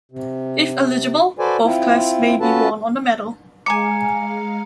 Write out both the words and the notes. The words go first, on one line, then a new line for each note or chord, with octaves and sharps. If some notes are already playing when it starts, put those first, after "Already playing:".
If eligible, both clasps may be worn on the medal.
C3
F#4 A4 B4 C5 D5 G#5
C4 E4 F4
C#4 F4 F#4 A4 B4 A5
G#3 F5 G#5 A#5 D6 C#7